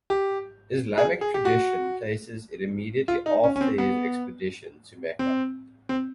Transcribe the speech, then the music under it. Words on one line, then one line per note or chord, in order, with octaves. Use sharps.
Islamic tradition places it immediately after his expedition to Mecca.
G4
G#4
G#4
G4
F#4
F4
D#4
C#4
C#4
C4
B3
C4
C4